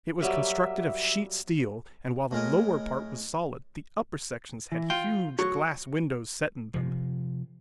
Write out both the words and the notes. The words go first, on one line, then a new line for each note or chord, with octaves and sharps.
It was constructed of sheet steel, and while the lower part was solid, the upper sections had huge glass windows set in them.
F#3 G3 A#3 E5
A2 G#3 A#4 D#5
E3
F4 G5
F#3 C#6
C3 F3